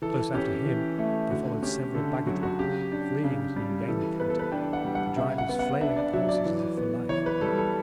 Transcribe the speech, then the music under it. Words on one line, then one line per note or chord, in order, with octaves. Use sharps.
Close after him there followed several baggage-waggons, fleeing at an ungainly canter, the drivers flailing at the horses as if for life.
E3 A4
C#4 G4
E3
A3
D3 F#4
C#4 G4
D3 A4
F#3 F#4
F#4
C#3 G4
D4
C#3
G3
E3 A4
B3 B4
A4
B4
D4 G5
F#5
G3
F#5
C#3 E5
F#5
B3
F#5
D4 E5
D5
F#3 E5
D5
E3
B3
E3 C#5
B4
G3 A4
A4